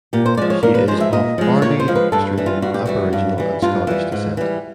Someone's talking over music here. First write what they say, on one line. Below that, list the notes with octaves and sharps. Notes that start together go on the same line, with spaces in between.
She is of Bardi Australian Aboriginal and Scottish descent.
A#2 G4
C5
F3 G#3 D5
C#5
A#2 A#4
B4
F3 G#3 C5
E5
A#2 D#5
F3 G#3
A#2 C#5
C5
F3 G#3
B4
G2 A4
E3 G3
F4
G2 F#4
G4
E3 G3 F#4
G2
E3 G3
G2 F4
E3 G3
G#2
E3 G3